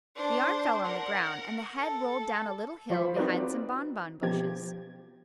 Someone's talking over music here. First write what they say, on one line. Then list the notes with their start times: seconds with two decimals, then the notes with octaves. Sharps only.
The arm fell on the ground and the head rolled down a little hill behind some bonbon bushes.
0.15 D4 C5
0.85 A#4 F#5
1.80 A4
2.90 F3 F4 C5 B5
3.16 C4 D#4 F#4 A#4 B4 D5
4.22 B2 F3 G4 G#6